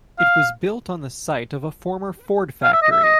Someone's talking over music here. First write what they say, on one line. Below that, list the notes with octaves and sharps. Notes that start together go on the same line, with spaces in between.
It was built on the site of a former Ford factory.
F5
F5
E5
D#5
E5
D#5